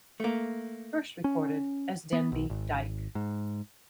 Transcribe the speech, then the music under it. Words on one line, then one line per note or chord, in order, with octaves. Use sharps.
First recorded as Denby Dyke.
A3 A#3
C#4
B3
B1
G#1
G#2